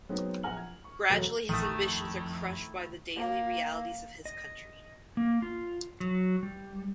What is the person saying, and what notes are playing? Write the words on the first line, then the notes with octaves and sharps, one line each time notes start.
Gradually his ambitions are crushed by the daily realities of his country.
F#3 G#3 B3 C4 D#4
A#1 F#5 G#5 A#5 F6 F#7
G#6
C#6
E1 F#3 F#4 A4 A#5
A#1 F2 D#3 A3 E4 A5 D#6
A#3
D#5
A#3
F4
F#3
G3